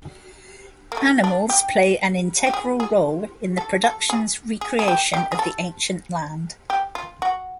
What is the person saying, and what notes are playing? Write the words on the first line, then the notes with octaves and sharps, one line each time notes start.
Animals play an integral role in the production's recreation of the ancient land.
A#3
A3
D4
G4
G4
G#4
G#4
A4
A4
G#4
G#4
G#4
G4
G4
G#4
A4
G4
F4
F#4